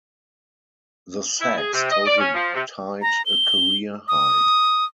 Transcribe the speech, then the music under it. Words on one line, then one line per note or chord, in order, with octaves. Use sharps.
The sacks total tied a career-high.
E4
G#4
C3
D#5
D5
C#4
F3
C3
A#5
G7
D#6